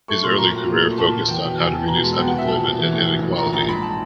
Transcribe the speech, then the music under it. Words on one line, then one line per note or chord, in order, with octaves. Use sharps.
His early career focused on how to reduce unemployment and inequality.
A3 C#6
A#2 C6
A#2 A#5
F#3
A#2
A3
A#2 A5
A#2
E2 G5
B2 G5
E2 G#5
B2 A5
B2 A#5
G#3 A5
B3 G5
F#5
B2
E5
A#1 A5
A#1
E3
A2
A2
A#1
A#1 A#5
A#1 A#5
G#2 B5
A5